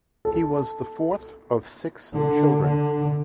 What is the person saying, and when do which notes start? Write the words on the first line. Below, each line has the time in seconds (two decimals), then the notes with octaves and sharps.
He was the fourth of six children.
0.25 A4
2.14 D3
2.59 D3